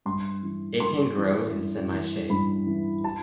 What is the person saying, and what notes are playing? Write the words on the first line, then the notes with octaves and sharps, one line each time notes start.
It can grow in semi-shade.
G2 C6
E3
G2 C6
E3
G2
E3
G2 B5
E3
A5